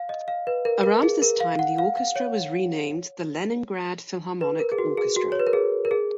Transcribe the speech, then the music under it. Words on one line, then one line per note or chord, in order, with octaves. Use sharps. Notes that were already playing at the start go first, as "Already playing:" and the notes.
Around this time, the Orchestra was renamed the "Leningrad Philharmonic Orchestra".
Already playing: F5
D#5
F5
B4
A#4
A#4
G#4
A#4
F5
F#5
F5
F5
C#5
B4
A#4
G#4
F#4
G#4
F#4
C#5
B4
A#4
G#4
A#4
G#4